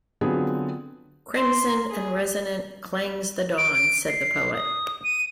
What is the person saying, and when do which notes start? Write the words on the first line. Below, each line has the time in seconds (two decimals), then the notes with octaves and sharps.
"Crimson and resonant clangs the dawn," said the poet.
0.21 D3 F#3 B3 C4 F4 G#4
1.37 C6
1.90 G#4
3.58 D7
4.08 C7
4.54 D#6
5.04 D#7